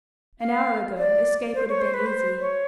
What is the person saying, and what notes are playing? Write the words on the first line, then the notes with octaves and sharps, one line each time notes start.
An hour ago escape would have been easy.
F5
D5
C5
C#5
C5
B4
C5
C#5